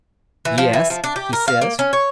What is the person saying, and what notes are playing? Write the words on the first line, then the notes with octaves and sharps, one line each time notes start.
"Yes," he says.
E3
F3
E3
F3
D4
G4
A#4
F5
A#3
C#4
C#5